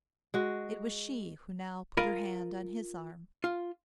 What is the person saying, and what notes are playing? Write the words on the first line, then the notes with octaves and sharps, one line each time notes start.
It was she who now put her hand on his arm.
G#3 F#4
F4 A#4 D#5 B5
F4